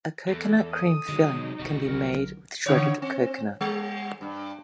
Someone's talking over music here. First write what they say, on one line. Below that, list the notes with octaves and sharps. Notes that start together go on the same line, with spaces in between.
A coconut cream filling can be made with shredded coconut.
E2 A4
D#6
D3 D#3 F#3 G#3 D#4
G#1 D2 B2 G3 F#4
B1 D3 F#3 A#4
C#3 C#5
C4
G3
G2